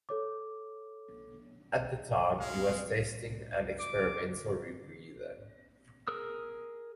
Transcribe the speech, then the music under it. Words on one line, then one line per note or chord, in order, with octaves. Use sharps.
At the time, he was testing an experimental rebreather.
A4 C#5 D6
G#3 F5
D6
G#4 A#4 D#6 E6